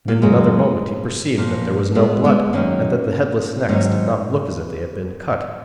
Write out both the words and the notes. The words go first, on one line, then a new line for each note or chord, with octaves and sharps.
But in another moment he perceived that there was no blood, and that the headless necks did not look as if they had been cut.
A#3
F#2 C#3 F#3 G#3
A#2 F3 A#3
G#3 B3
G#3 B3
F#2 D#3 F#3 A#3 C#4
G#2 D#3 F#3 A#3 C#4